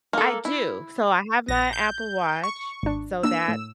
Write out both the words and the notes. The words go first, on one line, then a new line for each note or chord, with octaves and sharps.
I do. So, I have my Apple Watch. So, that
A#3 A4
E4
A#1 A#6
G6
C#6
G#1 D4
A#3 D4 E6
A2